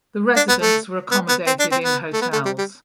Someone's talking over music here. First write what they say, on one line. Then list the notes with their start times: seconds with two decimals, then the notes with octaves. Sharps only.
The residents were accommodated in hotels.
0.36 D4
0.49 B3
0.62 A3
1.11 B3
1.29 B3
1.47 C4
1.59 D4
1.72 C4
1.84 B3
2.13 A3
2.22 B3
2.33 A3
2.45 G3
2.58 G3